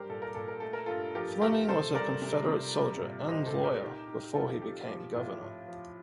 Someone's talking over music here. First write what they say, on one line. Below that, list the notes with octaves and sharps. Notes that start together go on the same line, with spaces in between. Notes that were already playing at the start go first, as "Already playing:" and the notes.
Fleming was a Confederate soldier and lawyer before he became governor.
Already playing: G3 D4 G4 A#4 C5
A#2 A4
A#4
A#2 A4
A#4
A3 A4
A#4
G2 F4 A4
F3 G4 A#4
A3 G4 A#4
C3 A4 C5
G3 A#4 D5
C3
C3
G3
A#2
C2 C5 D#5
A4 C5
A#2
G4 A#4
D#4
D#4
F3 F4 A4
C4 G4
F3 G4
A2 F4
A2
F3